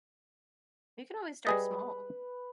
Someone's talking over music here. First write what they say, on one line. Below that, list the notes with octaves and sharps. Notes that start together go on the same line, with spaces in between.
you can always start small.
G3 G#4 B4 D#5